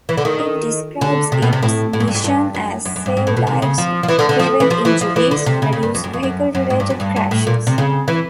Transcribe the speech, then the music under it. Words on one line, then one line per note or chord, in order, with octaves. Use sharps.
It describes its mission as Save lives, prevent injuries, reduce vehicle-related crashes.
E3
D3
D#3
D3
C3
B2
C3
A2
A2
G#2
G2
G#2
G2
F#2
F#2
F#2
G2
G#2
A2
B2
C3
C#3
F3
F3
E3
D3
D3
F3
E3
F3
E3
F3
E3
D3
C3
C#3
C#3
G2
F2
F#2
F2
F#2
F#2
G#2
G2
F#2
G2
G2
A2
A#2
C3
C#3
E3